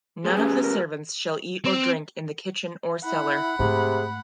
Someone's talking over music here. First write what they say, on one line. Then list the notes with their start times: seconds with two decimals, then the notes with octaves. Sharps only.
None of the servants shall eat or drink in the kitchen or cellar.
0.25 G#3 B3 G4 G#4
0.37 C#4
0.62 A#4
1.65 C4
3.04 E4 F#5 B5
3.59 G#2 C3 A3 G#4